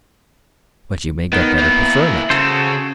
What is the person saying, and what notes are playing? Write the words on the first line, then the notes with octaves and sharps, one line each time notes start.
"But you may get better preferment."
D#3 B3
A#3 E4
C#3 F#4 A4 C5